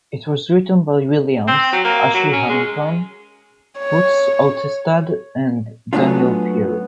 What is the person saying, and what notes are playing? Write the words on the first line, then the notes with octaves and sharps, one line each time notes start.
It was written by Williams, Ashley Hamilton, Boots Ottestad and Daniel Pierre.
C4
F#3
A#3
F#3
C#4
G#3
C#5
F#3 A3 B3 C#4 D4 F4